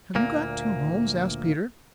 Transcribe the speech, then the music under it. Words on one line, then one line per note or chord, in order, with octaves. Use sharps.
"Have you got two homes?" asked Peter.
D2 A#2 A#3